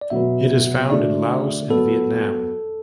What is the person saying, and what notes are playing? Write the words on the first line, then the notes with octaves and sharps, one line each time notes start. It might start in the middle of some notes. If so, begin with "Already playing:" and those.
It is found in Laos and Vietnam.
D5
B2 F#3 B3 E5
D3 A3 D4 F#4 D5
F#3 B3 A4